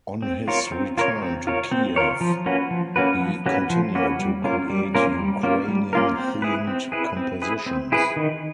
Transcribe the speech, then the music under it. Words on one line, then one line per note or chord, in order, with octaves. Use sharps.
On his return to Kiev he continued to create Ukrainian themed compositions.
C4
F4 A#4 C#5
C4
F4 A#4 C#5
C4
F4 A#4 C#5
C4
F4 A#4 C#5
F3
A#3 C#4 F#4 B4
F3
A#3 C#4 F#4 B4
F3
A#3 C#4 F#4 B4
F3
A#3 C#4 F#4 B4
G3
A#3 C#4 F4 A#4
G3
A#3 C#4 F4 A#4
G3
A#3 C#4 F4 A#4
G3
A#3 C#4 F4 A#4
C4
E4 G#4 B4
C4
E4 G#4 B4
C4
E4 G#4 B4
C4
E4 G#4 B4
D#3